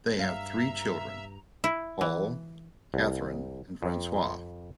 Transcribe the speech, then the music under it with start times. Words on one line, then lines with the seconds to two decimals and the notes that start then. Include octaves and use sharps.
They have three children: Paul, Catherine and Francois.
0.19 G2 E5 F5 A#5
1.64 E4
2.01 E3
2.94 C2
3.83 F2